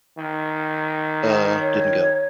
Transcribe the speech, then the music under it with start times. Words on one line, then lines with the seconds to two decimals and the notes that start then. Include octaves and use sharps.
"Uh, didn't go."
0.18 D#3
1.60 C#5